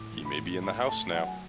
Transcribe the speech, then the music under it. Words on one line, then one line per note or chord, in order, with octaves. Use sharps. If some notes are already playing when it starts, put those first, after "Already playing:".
He may be in the house now!
Already playing: A2 D6
A1
B5
A2
A3 B5
A3 A5
F#3 F#5
G#5